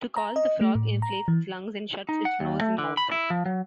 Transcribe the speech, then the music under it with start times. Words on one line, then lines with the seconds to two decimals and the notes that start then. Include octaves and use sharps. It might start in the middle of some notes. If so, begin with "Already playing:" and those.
To call, the frog inflates its lungs and shuts its nose and mouth.
0.16 A#5
0.36 D#5
0.61 A3
0.75 A2
1.02 A#5
1.28 E3
2.09 D#4
2.25 F#5
2.40 D#2
2.61 A3
2.78 D3
2.97 B5
3.12 E4
3.30 F3
3.46 F#3